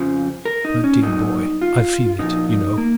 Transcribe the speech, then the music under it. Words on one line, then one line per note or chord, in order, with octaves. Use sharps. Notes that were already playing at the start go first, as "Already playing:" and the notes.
My dear boy, I feel it, you know.
Already playing: F2 C#3 F3 C5
A#4
D#4
C#4
A#2 F#3 D#4
F4
A#2 F3 D#4
D#4
A#3